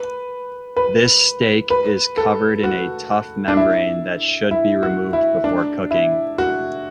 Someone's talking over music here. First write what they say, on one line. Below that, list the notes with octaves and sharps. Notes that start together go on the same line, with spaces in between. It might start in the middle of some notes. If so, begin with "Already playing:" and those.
This steak is covered in a tough membrane that should be removed before cooking.
Already playing: B4
B4
B4
A4
F#4
D4
E4
E4
F#4
E4
D4
E4
F#4